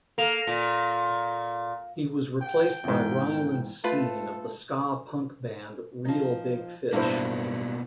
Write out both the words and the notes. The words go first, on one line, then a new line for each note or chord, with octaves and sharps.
He was replaced by Ryland Steen, of the ska punk band Reel Big Fish.
A#3 A4 F7
A#2
G5
E2 G#2
A3 F4 A4 B4
F3 D#4
G2 B2 D#3 G3 A#3 D4 E4 C5